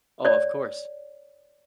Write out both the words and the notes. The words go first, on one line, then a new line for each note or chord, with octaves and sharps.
Oh, of course.
C#5 D5